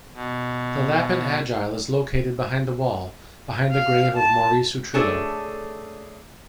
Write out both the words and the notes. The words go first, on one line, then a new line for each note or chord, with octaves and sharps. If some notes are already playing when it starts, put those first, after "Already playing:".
The Lapin Agile is located behind the wall, behind the grave of Maurice Utrillo.
B2
F5
A5
A3 D4 G#4 A4 C#5